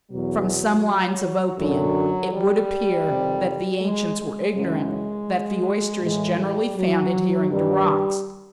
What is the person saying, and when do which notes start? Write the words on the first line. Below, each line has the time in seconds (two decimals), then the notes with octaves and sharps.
From some lines of Oppian, it would appear that the ancients were ignorant that the oyster is generally found adhering to rocks.
0.10 E2 B2 F#3
1.59 F#2 D3 F#3
2.33 G3
3.07 F2 C3 D#3
3.81 G#3
4.18 G#3
4.55 F#2 C#3 E3
6.03 A2 E3 G#3
6.40 G3
6.77 F#3
7.51 G2 D#3 G3